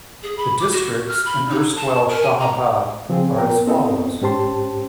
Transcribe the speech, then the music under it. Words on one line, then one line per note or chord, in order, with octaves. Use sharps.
The districts in erstwhile Shahabad are as follows.
G#4
B5
D6
F#4
F6
B5
D#4
A5
A#4
G#5
A#5
C#3 F3 C4 F4 G#4
B3 A#4 G5
B3 C4 E4 A4 D#5
G#2 C#4 G4 C5 A5 C6